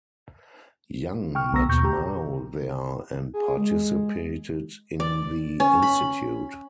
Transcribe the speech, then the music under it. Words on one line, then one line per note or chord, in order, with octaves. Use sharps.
Yang met Mao there and participated in the institute.
G5 C#6 F6
B1 B3 A#5 C#6 E6 A#6
D#2 B2 C#6 G6
G4 A#5
G#4
G#3
D5
C#4
B5